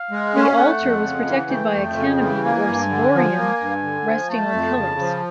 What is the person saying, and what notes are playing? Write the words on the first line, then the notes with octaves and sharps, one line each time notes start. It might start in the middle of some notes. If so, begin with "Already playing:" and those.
The altar was protected by a canopy or "ciborium" resting on pillars.
Already playing: F5
G#3
C#4
A3 F#5
F2
C#3
E3
A3 G5
F2
C#3
E3
A#3 G#5
G2
D3
F3
A#3
G2
D3
F3
A3 A5
F2
C#3
F3